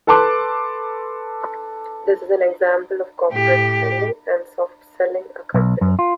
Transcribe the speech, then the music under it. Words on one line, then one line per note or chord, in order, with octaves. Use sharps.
This is an example of corporate branding, and soft selling a company.
A4 B4 A5 C6 D6 F#6
A2 G4
B1
F#2
F4